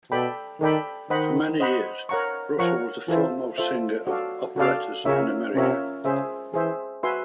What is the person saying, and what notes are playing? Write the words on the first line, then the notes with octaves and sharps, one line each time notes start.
For many years, Russell was the foremost singer of operettas in America.
B2 A4 D5 G5 B5
D#3 A4 D5 G5 B5
D#3 C5 D#5 F#5 B5
C5 D#5 F#5 B5
A#4 C#5 F#5 A#5 C#6
F3 A#4 C#5 F#5 A#5 C#6
E3 F4 A4 C5 E5
F4 A4 C5 E5
F#4 A4 D5 F5
C#3 F#4 A4 D5 F5
C#3 C#4 F4 A#4 C#5 E5
C3 C#4 F4 A#4 C#5 E5
C#3 G#4 C5 E5
E3 G#4 C5 E5
F#4 B4 E5 G#5 C6